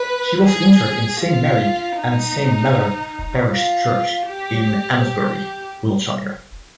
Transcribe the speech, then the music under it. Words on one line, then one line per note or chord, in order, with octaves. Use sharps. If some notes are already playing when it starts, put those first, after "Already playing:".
She was interred in Saint Mary and Saint Melor Parish Church in Amesbury, Wiltshire.
Already playing: B4
G#4
F4
D#4
F4
G4